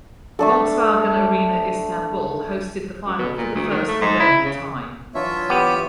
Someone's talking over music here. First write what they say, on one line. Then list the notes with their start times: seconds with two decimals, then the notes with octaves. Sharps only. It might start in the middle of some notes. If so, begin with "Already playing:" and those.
Volkswagen Arena Istanbul hosted the final for the first and only time.
0.39 A3 D4 A4
3.06 F#2
3.18 B2
3.38 A#2
3.55 D2
3.70 D#3
3.88 A3
4.01 G#2
4.20 E4
4.45 C#3
5.15 E3 F#3 D4 F4 C#5 E5
5.50 B3 G4 D6